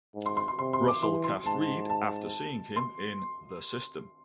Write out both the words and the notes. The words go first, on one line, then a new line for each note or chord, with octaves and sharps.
Russell cast Reed after seeing him in "The System".
G#2
C6
C6
C6
C3 C6
C6
D6
E3 C6
C6
G#2 A5
A5
C6